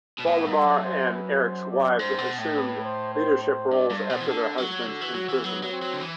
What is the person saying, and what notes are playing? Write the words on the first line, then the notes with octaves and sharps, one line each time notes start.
Valdemar and Eric's wives assumed leadership roles after their husbands' imprisonment.
B2
A2 B3
G2
A4
F#2
C5
B4
C5
D5
G2 C5
B2
A2
B4
C5
C5
C5
G2 D5
G2
C5
B2
E3
D3 A4
F#3 F#4
D3
E3
F#3
E3
F#3 B3
F#3
C4
F#3
D3
E3